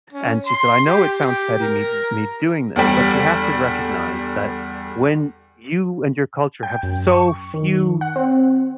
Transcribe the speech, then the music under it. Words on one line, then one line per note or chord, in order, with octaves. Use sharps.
And she said, "I know it sounds petty me me doing this, but you have to recognize that when you and your culture have so few
C#4
C6
G4
G4
A#4
E2 D3 G3
G5
F#2
C#6
D#3
F#5
C4